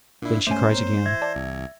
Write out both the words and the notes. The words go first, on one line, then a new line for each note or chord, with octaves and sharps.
Then she cries again.
A#2 D4 E4
G#2 A3 C#4 C5 G#5
A#3 C4 C#5
E3 E5 G#6
D5 A5
C2